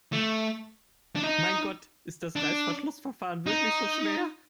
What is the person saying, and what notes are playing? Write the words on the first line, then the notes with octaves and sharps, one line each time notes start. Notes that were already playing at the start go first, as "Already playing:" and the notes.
Mein Gott, ist das Reißverschlussverfahren wirklich so schwer?
A3
D4
D#4
D4
D#4